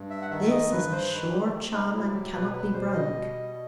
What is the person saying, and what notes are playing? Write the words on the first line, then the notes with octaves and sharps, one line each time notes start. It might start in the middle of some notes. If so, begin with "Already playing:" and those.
This is a sure charm, and cannot be broke.'
Already playing: G2
E5
F#5
D#3 E5
D#5
G2 B4
C5
D#3 B4
G4
C3
D#4
F#3 E4
G4
B2 B4
B4
G3 C5
D#5
B2